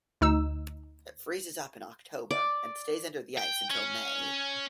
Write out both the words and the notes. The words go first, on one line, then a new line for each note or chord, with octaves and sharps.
It freezes up in October and stays under the ice until May.
D2 D#4 E6
D5
G5
C#4